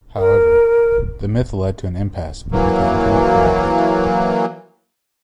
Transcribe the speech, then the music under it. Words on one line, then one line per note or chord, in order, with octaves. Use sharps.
However, the myth led to an impasse because we cannot correct it.
A#4
E3 F#3 A#3